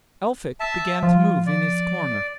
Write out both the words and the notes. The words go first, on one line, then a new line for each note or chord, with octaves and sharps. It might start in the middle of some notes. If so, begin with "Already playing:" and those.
Elphick began to move in his corner.
E5 A5
F3 F4
D5